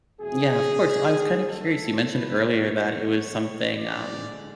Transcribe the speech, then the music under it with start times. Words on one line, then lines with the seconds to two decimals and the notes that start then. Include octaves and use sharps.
Yeah, of course. I was kinda curious, you mentioned earlier that it was something, um
0.19 E2 B2 F#3 A3 G#4
0.84 D2 D3 G#3
1.48 F#2 D3 A3 A4
2.13 G#2 E3 A3 B4
2.45 C#5
2.76 E2 B2 F#3
3.41 G#2 E3 A3
3.73 D5
4.06 D2 D3 G#3